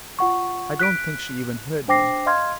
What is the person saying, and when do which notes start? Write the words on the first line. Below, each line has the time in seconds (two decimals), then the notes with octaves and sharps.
I don't think she even heard me.
0.19 F4 F#5 C#6
0.79 F#6 B6 D7
1.88 D4 C5 G5 D6 A#6 C7
2.26 D#5 F5 C6 F6 G#6